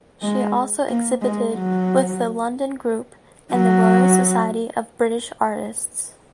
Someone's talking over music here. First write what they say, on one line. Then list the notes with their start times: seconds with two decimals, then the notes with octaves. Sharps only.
She also exhibited with the London Group and the Royal Society of British Artists.
0.23 G#3
0.88 A#3
1.22 G#3
1.54 F#3
3.52 F#3